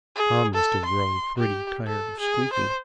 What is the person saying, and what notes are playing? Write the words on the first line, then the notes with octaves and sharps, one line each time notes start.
Tom must have grown pretty tired of squeaking.
G#4
A4
C6
G4
A4
G#4
C5